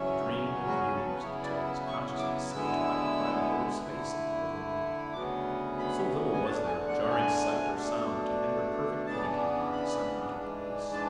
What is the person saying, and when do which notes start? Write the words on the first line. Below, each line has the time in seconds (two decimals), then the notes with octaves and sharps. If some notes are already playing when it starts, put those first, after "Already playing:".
He dreamed and mused till his consciousness seemed to occupy the whole space of the woodland around, so little was there of jarring sight or sound to hinder perfect unity with the sentiment of the place.
Already playing: E2 C#3 F#3 C#4 E5
0.67 F#4
0.80 G#4
0.94 A4
1.07 B4
1.21 C#3 F#3 B3 E4 C#5
1.43 D5
1.64 E5
1.87 C#6
2.19 D6
2.52 D2 D3 G#3 B3 E4 E6
3.83 D3 A3 E4
5.13 D2 C#3 F#3 B3 D6
5.79 B5
6.33 G#5
6.44 E2 D3 A3 D4 A5
6.66 G#5
6.88 F#5
7.10 G#5
7.75 B2 A3 D4
9.06 C#3 E3 B3 D4 A5
9.72 B5
10.37 G#2 E3 G#3 D4
10.93 A5